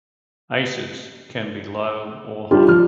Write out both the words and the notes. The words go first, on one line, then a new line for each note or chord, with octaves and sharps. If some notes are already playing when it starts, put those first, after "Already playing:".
Aces can be low or high.
G3 D4 F4 G4
F3 F6